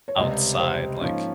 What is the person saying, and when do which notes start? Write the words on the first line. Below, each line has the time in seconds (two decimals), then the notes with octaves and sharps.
outside, like,
0.08 C#5
0.17 C#2 C3 G3 D#5
0.60 C5
1.01 G#2 F3 A#3 C#4